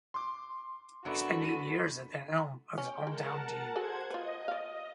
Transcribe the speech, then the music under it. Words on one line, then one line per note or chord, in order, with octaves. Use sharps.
He spent eight years at the helm of his hometown team.
C6 D6
F#2 B3 D4 F#4 A4 D5
B6 D#7
C#4 G5
G#3 A#4 F#5 A5
F#4 G#4 A4 C5 F#5 G#6
F4 B4 D#5
D5 F5